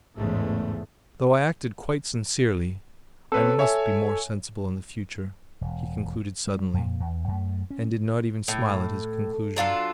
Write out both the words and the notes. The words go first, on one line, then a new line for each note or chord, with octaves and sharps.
"Though I acted quite sincerely, I must be more sensible in the future," he concluded suddenly, and did not even smile at his conclusion.
A1 E2 G#2 C#3 G#3 A3
C4 A4 B4 C#5
C#5 E5 G#5
E1
G3
F2 A#2
E2
F#2 A3
C#4
A2
F#3 D4 F4 A4